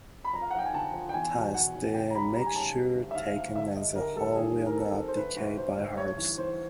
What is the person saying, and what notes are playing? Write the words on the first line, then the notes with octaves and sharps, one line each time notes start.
Thus, the mixture taken as a whole will not decay by halves.
B5
F2 A#5
F5
F#5
F3 G5
G#5
D3 A5
F3
G5
E2 G#5
B2
E2 F#5
E2
C#3 G5
A#5
C#3 B5
G3 A#5
G#5
C#3 A5
G3
D2
E5
D2 F5
D2
D3 E5
G2 D#5
D3 A#4
G3 A4
D#2 G#4
D#2
A#4
C4 A4
C4
C5
D2 B4
D2
D2 C5
D2
G2 C#5
E3
E3 C5